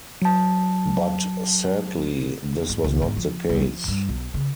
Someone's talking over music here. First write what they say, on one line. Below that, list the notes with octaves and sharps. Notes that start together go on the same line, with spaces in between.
But sadly, this was not the case.
F#3 A5
G#2
C#2
G#2
F3
C2
F3
G2
B1
C#3